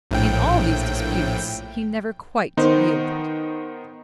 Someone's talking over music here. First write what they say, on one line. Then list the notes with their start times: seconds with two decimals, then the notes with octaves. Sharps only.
In all these disputes he never quite yielded.
0.11 A#1 A2 G5
2.57 D#3 B3 D#4 C5